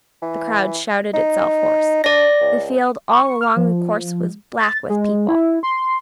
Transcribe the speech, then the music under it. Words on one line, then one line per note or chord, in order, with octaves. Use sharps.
The crowd shouted itself hoarse. The field all along the course was black with people.
E3
D#4
D4 D5 A#6
C#2
C#6
F6
F3
A6
G#3
E4
C6